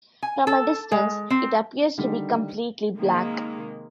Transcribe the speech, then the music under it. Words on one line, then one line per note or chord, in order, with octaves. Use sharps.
From a distance, it appears to be completely black.
G#5
A4
G#3
C4
D3 D#3 G3 D#4
C3 D#3 G#3 A#3